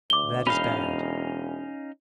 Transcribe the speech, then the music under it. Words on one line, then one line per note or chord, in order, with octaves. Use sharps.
That is bad!
D2 D6 G7
E1 C#4 D#4 F5 B5